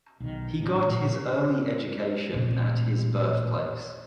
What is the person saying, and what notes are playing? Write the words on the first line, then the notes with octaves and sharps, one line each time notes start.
He got his early education at his birthplace.
B1 D#3
A1 G#2 B2 D4
A#2 D#3 F3 A#3
A1 A#2 C4